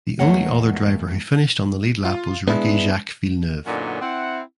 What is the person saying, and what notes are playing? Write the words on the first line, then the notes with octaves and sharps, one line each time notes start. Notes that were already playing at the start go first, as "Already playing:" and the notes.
The only other driver who finished on the lead lap was rookie Jacques Villeneuve.
E2 A3 A#3 C#5 D#5 F#5
F4
G#3 B3 D4 E4
F#2 A#2 D3 B3 C#4 D#4
C4 E4 F#5